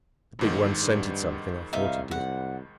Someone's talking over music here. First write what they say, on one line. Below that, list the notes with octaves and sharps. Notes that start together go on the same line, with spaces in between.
"The big one scented something, or thought he did."
B1 F2 G#2 D#3
G2
C2 D#4 E5 F5
C2 F#5